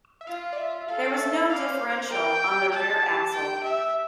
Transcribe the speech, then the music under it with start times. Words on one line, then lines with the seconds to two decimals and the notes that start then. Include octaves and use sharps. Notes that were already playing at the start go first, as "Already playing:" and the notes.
There was no differential on the rear axle.
0.21 E5
0.27 F4 F5
0.53 D5
0.58 E5
0.88 A4 F5
1.19 E5
1.49 D5 F5
1.70 C5
1.90 C5
2.11 A#4 G5
2.51 G4
2.72 A5
3.02 G4
3.33 G5
3.63 E5